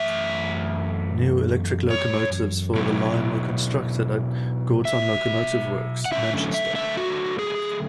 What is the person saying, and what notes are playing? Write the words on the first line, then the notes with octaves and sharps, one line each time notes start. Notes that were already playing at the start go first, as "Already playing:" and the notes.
New electric locomotives for the line were constructed at Gorton locomotive works, Manchester.
Already playing: F#2 E3 A3 E5
C#5
B2 F#3 B3 E4
E5
F#5
D3 F#3 A3 C#4 E4 E5
E5
E5
F#4
G#4